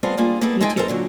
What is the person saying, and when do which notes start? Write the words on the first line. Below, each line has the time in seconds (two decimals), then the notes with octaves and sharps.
me too.
0.03 G3 B3 C4 F4 G#4 A4
0.17 G3 A#3 D4 F4 G#4
0.41 A#3 B3 E4 G#4 A4
0.61 G#3 D#4 E4 G#4 A4 G5
0.77 A4 A#4 C5 F#5 A#5
0.88 A#2 D3 F#3